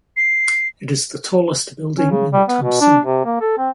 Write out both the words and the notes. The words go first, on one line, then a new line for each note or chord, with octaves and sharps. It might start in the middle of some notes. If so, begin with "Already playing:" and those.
It is the tallest building in Tamsui.
C7
C#4
C#3
G3
B3
B2
D4
C3
A#3
A4
C4